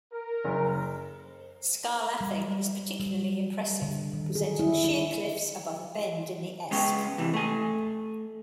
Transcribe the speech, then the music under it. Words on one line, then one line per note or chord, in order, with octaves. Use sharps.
Scar Lathing is particularly impressive, presenting sheer cliffs above a bend in the Esk.
A#4
F#1
G3
G3
D3
D#3
G#4
E4
E4
G#3 B3 C#4 G5
C3 E3
A3 G#5